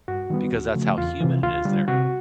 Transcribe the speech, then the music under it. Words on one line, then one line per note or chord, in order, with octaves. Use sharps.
because that's how humid it is there.
G2 F#4
D#3 G3 B3
D2
C#3 F3 A3
E2 F4
C3 E3
D2 F4
D3 G3
C3 F#4